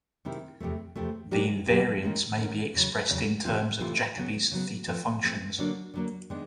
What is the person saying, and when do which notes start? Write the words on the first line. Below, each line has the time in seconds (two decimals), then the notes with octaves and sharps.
The invariants may be expressed in terms of Jacobi's theta functions.
0.25 C3 D#3 G#3 C4 E4
0.60 E2 C3 F3 A3
0.96 E2 C3 F3 A3
1.31 F#3 A#3 D4 G4
1.67 F#3 A#3 D4 G4
2.03 D#3 G#3 C#4
2.38 D#3 G#3 C#4
2.74 E2 C#3 F#3
3.09 E2 C#3 F#3
3.45 C3 E3 A3 C4 F4
3.80 C3 E3 A3 C4 F4
4.16 C#3 F#3 B3
4.51 C#3 F#3 B3
4.87 F3 A3 C4
5.23 F3 A3 C4
5.58 D3 F#3 A#3 D4
5.94 D3 F#3 A#3 D4
6.30 D#3 G#3 B3 D4